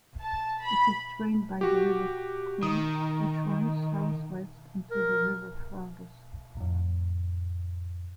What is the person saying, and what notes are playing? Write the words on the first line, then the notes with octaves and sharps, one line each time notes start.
It is drained by the River Quin, which runs southwest into the River Fergus.
A5
B5
F#4 G4
D#3 D#6
A#4
F2 A2